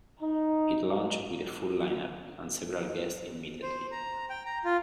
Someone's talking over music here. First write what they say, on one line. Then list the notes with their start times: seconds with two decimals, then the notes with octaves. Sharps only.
It launched with a full lineup, and several guests immediately.
0.20 D#4
3.62 C5
3.91 A#5
4.30 G5
4.45 A#5
4.65 F4